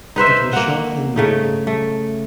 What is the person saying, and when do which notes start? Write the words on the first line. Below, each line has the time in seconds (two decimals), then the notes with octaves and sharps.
It was shot in Norway.
0.16 D#4 B4 C5 E5
0.53 A#3 F#5
1.16 C#3 A3 D#4
1.67 A3